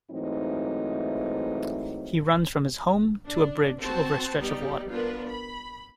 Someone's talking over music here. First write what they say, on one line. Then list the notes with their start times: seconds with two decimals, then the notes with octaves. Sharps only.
He runs from his home to a bridge over a stretch of water.
0.11 G#2 E3 F#3 A3 C4 D#4
3.26 D4
3.81 C4 F#4 C5 A5
4.38 G3 B3 D#4 G4 D5
4.90 B3 D4 F4 A#4 B4
5.28 B5